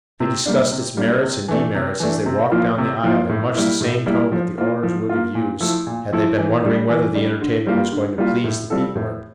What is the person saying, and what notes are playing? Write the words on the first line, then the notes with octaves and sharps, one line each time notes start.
They discussed its merits and demerits as they walked down the aisle in much the same tone that the owners would have used had they been wondering whether the entertainment was going to please the people or not.
C3
G3 A#3 D4
C3
G3 A#3 D4
C3
E3 A3 D4
C3
E3 A3 D4
C3
F3 A#3 F4
C3
F3 A#3 F4
A2
G3 A#3 E4
A2
G3 A#3 E4
F3
A#3 F4
F3
A#3 F4
A#2
F3 A3 E4 A4
A#2
F3 A3 E4 A4
E3
G3 D4
E3
G3 D4
D3
G3 A#3 F4
D3
G3 A#3 F4
A2
G3 C4 F4 A4
A2